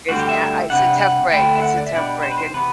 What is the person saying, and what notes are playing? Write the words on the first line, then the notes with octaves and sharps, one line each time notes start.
It's ah it's a tough break, it's a tough break, and
D2 D3 G3 C4 F#4
G4
E5
C3 G3 D4 F#5
F#5
D2 D3 A3 E4 G5
E5
F#5
D5
E5
B2 G3 B3 D4 D5
C5
B4
C5
C3 E3 B3 B4